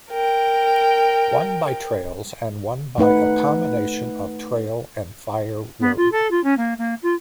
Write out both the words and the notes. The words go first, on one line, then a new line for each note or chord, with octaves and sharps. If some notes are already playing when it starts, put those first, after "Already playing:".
One by trails and one by a combination of trail and fire road.
A#4 G5
A3 D#4 B4 F#5
B3
F4
A4
F4
C#4
A#3
A#3
F4